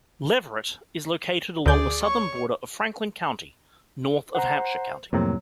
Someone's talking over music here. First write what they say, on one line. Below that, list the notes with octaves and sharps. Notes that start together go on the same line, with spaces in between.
Leverett is located along the southern border of Franklin County, north of Hampshire County.
D2 G#4 D5 G6
C#5 C#6
C5 F#5 A#5
F2 A2 C3 F#3 A#3